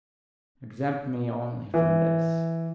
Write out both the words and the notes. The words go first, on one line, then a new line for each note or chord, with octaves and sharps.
Exempt me only from this!
E3